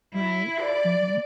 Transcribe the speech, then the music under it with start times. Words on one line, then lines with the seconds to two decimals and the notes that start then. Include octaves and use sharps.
Right. Mhm.
0.14 E4
0.60 D5